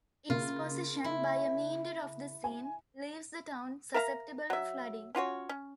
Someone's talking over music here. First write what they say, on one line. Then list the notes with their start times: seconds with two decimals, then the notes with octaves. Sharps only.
Its position by a meander of the Seine leaves the town susceptible to flooding.
0.30 C#3 A#3 F4
1.04 E4
2.44 G#5
3.94 A#4 E5 F5 A#5
4.50 F#3 E5
5.15 C#4 F4 F#4 C#5
5.49 C#4